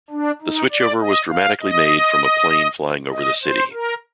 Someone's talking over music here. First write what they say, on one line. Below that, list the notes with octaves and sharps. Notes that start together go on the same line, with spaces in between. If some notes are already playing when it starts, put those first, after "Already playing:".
The switchover was dramatically made from a plane flying over the city.
D4
D#4
D5
D#5
F5
D#5
D#5
C5
A#4